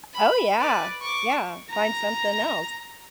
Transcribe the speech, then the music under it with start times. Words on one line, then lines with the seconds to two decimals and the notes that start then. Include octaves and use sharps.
Oh, yeah. Yeah, find something else.
0.14 B5
0.59 B4 D5
1.00 C#6 D6
1.70 A#5